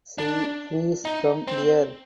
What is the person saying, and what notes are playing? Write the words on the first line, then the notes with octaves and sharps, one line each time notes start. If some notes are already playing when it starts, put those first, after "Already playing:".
She flees from there.
D4
D#4
C4